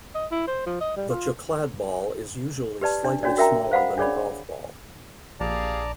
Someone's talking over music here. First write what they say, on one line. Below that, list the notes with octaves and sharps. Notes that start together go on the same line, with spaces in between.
The chokladboll is usually slightly smaller than a golf ball.
D#5
E4
C5
F3
D#5
G3
F4
G4 B4 D5 A5
D4
C#4 D4 F#4 C#5 D5
F#4 A#4 E5 G5 A#5
C5 F5 F#5 B5
D4 G#4 C#5 D5 B5
A#1 G4 G#4 D5 F5 A5 A#5